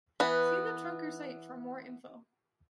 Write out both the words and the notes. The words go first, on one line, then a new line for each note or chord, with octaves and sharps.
See the Trunker Site for more info.
E3 B3